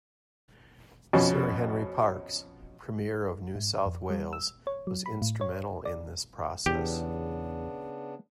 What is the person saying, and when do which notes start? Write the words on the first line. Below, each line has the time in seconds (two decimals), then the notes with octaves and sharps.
Sir Henry Parkes, Premier of New South Wales, was instrumental in this process.
1.13 F2 B2 C#4
3.55 G#2
3.86 F2
4.10 G3
4.33 E6
4.67 C#5
4.87 F#3
5.06 B5
5.22 A2
5.41 C#5
5.85 D5
6.66 E2 C#3 B3 D4 G4